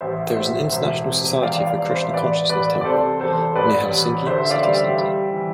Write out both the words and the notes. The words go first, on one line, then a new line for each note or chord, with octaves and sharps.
There is an International Society for Krishna Consciousness temple near Helsinki city centre.
A1 C5 E5
A2 C5 E5
E1 C5 E5
C3
G5
E2 D5 F5
D5 F5
E2
C5 E5
E5
A1 B4 D5
A1 B4 D5
D5
C3 A4 C5
E2 A4 C5
A1 B4 D5
A1
D3 C5 E5
E5
D5 F5
G3
E5 G5
G3
E3